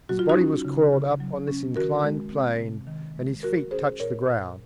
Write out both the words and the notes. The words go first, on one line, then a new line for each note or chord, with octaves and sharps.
His body was coiled up on this inclined plane and his feet touched the ground.
F#3 F#4
F4
D#4 F#4
C#4
C#3
C#3
F#3
C#4
D#3 F#4 A#4
G#3
C4
C3
D#3
G#3
G#3 F#4 A#4
C#4 G#4 C5
A#2 A#4 C#5
A#2